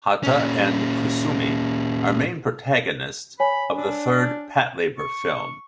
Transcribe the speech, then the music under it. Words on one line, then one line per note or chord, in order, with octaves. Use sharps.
Hata and Kusumi are main protagonists of the third Patlabor film.
A#2 C#4
C#5 G#5 B5
D4
C#6